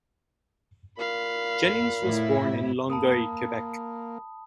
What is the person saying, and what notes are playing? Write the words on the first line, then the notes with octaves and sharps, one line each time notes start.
Jennings was born in Longueuil, Quebec.
A#2 F5 B5
A2 E4
A#3 A5 B5 D#6